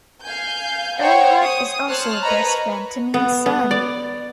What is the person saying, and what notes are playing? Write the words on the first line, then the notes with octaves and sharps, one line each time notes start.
Earnhardt is also a best friend to Means' son.
F5 G#5 G6
C5 C#5 F#5 G5
D#6
C5 C#5 A5 F6 F#6
A#4 B4 C#5 D#5 A#5 B5
B3
B3
D5